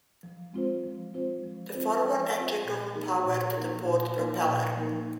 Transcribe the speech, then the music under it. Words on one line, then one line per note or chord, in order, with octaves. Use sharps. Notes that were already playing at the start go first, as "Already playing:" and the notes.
The forward engine room powered the port propeller.
F3
G#3 C4 F4 C5
F3
G#3 C4 F4 C5
F3
G#3 C4 F4 C5
F3
G#3 C4 F4 C5
A#2
F3 A#3 D#4 A#4
A#2
F3 A#3 D#4 A#4
A#2
F3 A#3 D#4 A#4
A#2
F3 A#3 D#4 A#4